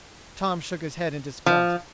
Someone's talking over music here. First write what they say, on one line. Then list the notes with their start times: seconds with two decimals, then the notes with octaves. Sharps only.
Tom shook his head in disgust.
1.46 F3